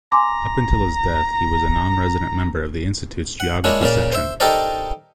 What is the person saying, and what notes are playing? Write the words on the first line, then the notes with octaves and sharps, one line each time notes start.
Up until his death he was a non-resident member of the Institute’s geography section.
G#5 A#5 C6 D6
F#5
G#3 A#3 D4 E4 C#5
A#2 C#3 A#3 D5
C5 E5
D#4 G4 A4 A#4 C5 D5